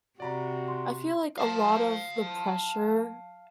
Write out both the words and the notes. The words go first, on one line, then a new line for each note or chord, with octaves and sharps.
I feel like a lot of the pressure,
C3 F#4 D5 A#5 B5
C6
F5 A5